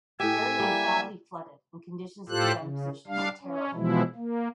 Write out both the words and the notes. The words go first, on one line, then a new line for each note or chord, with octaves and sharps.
The area was badly flooded and conditions at the gun positions were terrible.
A2 G4 E5 G#5
G3 A#3
A2 F4 G4 A4 C5 F#6
C#3
G3 D4 F5
C#4
B2 E3 F3 G#3 E4
A#3